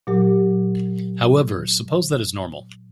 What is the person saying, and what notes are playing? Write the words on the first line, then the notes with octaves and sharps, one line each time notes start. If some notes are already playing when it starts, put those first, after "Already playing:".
However, suppose that is normal.
A#2 F#3 G4